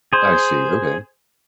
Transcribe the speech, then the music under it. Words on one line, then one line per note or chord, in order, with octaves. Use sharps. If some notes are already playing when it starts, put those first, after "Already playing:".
I see, okay.
G#4 C5